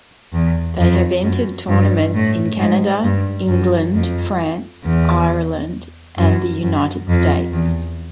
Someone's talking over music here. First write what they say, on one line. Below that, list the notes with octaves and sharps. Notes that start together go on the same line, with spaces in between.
They have entered tournaments in Canada, England, France, Ireland and the United States.
E2
F2
F#2
G2
A2
G#2
G2
F#2
F2
E2
F#2
F#2
F2
E2